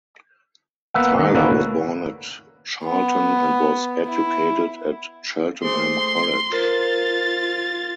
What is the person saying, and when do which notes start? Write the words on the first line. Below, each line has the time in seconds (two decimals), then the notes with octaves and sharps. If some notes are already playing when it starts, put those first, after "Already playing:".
Tyler was born at Charlton and was educated at Cheltenham College.
0.94 A#3 B3 E5 F#5
1.19 D#3 A3
1.35 D3 A#3 C#4 E4 F#4 B4
2.84 B3
4.06 E4
5.64 A3 G#4 C5 C6
6.53 F4 A#4 C5 A6